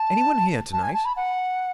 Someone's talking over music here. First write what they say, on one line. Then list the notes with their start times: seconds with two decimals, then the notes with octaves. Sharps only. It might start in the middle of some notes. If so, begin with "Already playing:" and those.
"Any one here to-night?"
Already playing: A5
0.73 A5
0.83 G#5
0.94 A5
1.05 B5
1.16 F#5